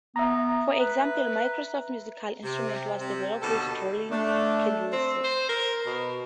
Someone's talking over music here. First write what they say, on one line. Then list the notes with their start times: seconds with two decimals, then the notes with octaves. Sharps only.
For example, Microsoft Musical Instruments was developed with Dorling Kindersley.
0.16 B3 E5 A#5
0.80 B4
2.44 C3
2.99 C3 G3
3.42 D#2 B2 D3 A4
4.11 A3 D4
4.92 C4
5.24 C5
5.49 A#4
5.86 B2